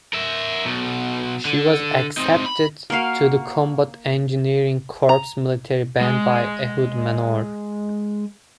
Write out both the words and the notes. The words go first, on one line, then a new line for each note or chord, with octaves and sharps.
She was accepted to the Combat Engineering Corps military band by Ehud Manor.
A#4 E5
B2 F#3
D3
C4 D#4
B5
A#3 F#4 A#4 F5
A#5
G#3 D#5